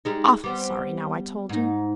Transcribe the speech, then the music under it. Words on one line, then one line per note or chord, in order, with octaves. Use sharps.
Awful sorry now I told you.
G3 G#3 D#4
G3 B3 C4
G#2 D#4